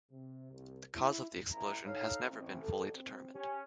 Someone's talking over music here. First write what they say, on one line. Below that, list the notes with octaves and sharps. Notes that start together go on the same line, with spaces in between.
The cause of the explosion has never been fully determined.
C3
C2
E4
A1 E4 A#5
D#4 A4 C#5 F5
A1 C4
A4
C4
C#4 G4